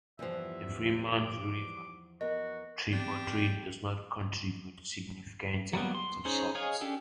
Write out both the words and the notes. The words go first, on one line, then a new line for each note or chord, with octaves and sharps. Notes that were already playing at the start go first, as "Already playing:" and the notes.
The Fremont River tributary does not contribute significant amounts of salt.
E2 G2 E3 F3 G3 E5
D6
B3 F#4 A#4 D#5
E3 B3 C4 D4 G4
F#3 G3 A#3 B3
C6
C#4 D#4 G#4 C5
G#4 C#5 D#5 F5 G#5
C#4 D4 G4 A4